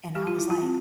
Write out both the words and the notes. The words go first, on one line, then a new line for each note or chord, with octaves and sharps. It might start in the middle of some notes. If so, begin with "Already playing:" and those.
And I was like,
G3 G4
F4
E4
F4
C4